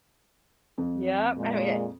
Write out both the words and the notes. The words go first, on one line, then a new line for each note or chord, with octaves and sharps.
Yep, I mean,
F2
A#2 G#3